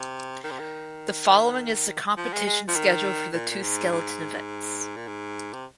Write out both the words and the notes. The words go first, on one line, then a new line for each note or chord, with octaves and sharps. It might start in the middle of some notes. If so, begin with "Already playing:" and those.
The following is the competition schedule for the two skeleton events.
Already playing: C3
D#3
C3
D#3
F3
G#3
G#3
F3
D#3
A#2
A#2
G#2
G#2
A#2
G#2
C3